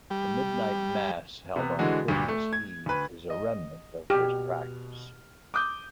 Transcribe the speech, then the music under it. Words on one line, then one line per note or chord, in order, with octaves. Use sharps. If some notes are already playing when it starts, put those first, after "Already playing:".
The Midnight Mass held on Christmas Eve is a remnant of this practice.
G3
C3 B3
D3 E3 G#3 F#4
D2 G2 A#2
A3
G#6
D2 B4
D#5
B2 G4 F6
D6 D#6 G6